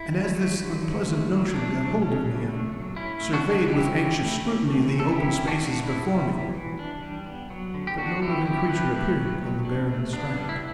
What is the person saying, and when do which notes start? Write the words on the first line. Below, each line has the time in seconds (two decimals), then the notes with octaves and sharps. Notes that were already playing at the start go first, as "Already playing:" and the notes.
And as this unpleasant notion got hold of me, I surveyed with anxious scrutiny the open spaces before me; but no living creature appeared upon the barren strand.
Already playing: E4
0.11 A3
0.35 F#3
0.59 D3
0.82 D3
1.06 A3
1.30 F#3
1.54 A3 D4
1.77 F#3
2.02 C#4
2.26 C#3
2.49 A3
2.73 F#3
2.96 C#4 E4
3.21 A3
3.33 D4 F#4
3.45 E3
3.68 E3 E4 G4
3.92 C#4
4.16 A3
4.40 C#4
4.65 A3
4.88 E3
5.00 A4
5.11 E3 E4 G4
5.36 C#4
5.47 D4 F#4
5.60 A3
5.83 D4 E4
6.08 G3
6.31 E3
6.55 E3
6.79 D4
7.03 G3
7.26 B3
7.50 F#3
7.74 D3
7.87 G4
7.98 D3 D4 F#4
8.22 B3 E4 G4
8.46 F#3 E4 G4
8.69 D4 G4 B4
8.93 A3
9.17 F#3
9.41 F#3
9.65 D4
9.89 A3
10.13 B3 D4
10.37 G3
10.49 E4